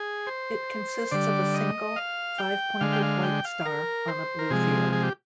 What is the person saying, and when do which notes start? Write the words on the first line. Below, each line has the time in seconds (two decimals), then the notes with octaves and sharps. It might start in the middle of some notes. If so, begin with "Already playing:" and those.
It consists of a single, five-pointed white star on a blue field.
Already playing: G#4
0.27 C5
1.11 D3 G3 D5
1.54 D#5
1.96 F5
2.38 G5
2.81 D3 G#3 F5
2.93 G5
3.02 F5
3.23 G5
3.45 F5
3.66 A#4
4.08 C5
4.39 A#4
4.50 C3 F3 G#3 G#4
4.93 G#4
5.03 G4